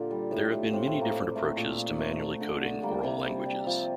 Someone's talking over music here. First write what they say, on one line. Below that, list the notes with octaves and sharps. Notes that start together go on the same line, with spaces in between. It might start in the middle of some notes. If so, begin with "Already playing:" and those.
There have been many different approaches to manually coding oral languages.
Already playing: A#2 D3 F4 G4
G3
A2
A3
A2 C4
A3
A2
A#3
A#2
A3
A#2 A3
A#2
A3
A3
D3
D3
G3 A#3
C3
G3
G3
F3